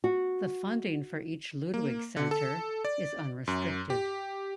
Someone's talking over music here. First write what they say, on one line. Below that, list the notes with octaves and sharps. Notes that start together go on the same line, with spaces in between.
The funding for each Ludwig Center is unrestricted.
F#4
A#3
D3
A4
D5
F#2
G4